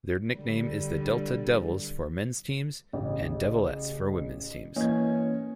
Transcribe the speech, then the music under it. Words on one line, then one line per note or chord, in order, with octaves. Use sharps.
Their nickname is the Delta Devils for men's teams and Devilettes for women's teams.
D3 G3
A1 C#3
E3 A#3 C#4 D#5 G#6